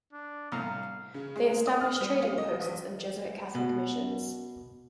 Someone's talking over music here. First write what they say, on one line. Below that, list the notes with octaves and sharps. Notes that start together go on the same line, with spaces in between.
They established trading posts and Jesuit Catholic missions.
D4
C2 A2 F5 A#5
C#3
G#3
D#6
F6
G3
F4
D#5
A#1
B2